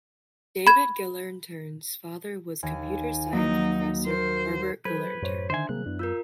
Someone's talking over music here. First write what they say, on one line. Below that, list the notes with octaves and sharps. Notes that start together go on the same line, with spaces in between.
David Gelernter's father was computer science professor Herbert Gelernter.
B5 G#6
D#2 G#5
F#3 A#3 D#4
A#4 C5
F#3 A4 B4 C5 G6 G#6
F#2 A2 C5 C#5
D3 D#3 D4 C5 E5 G#5
C3 D#3 F#3 G3 A#3 G#4 F#6
F#2 B3 D4 E4
F4 A#4 E6 G6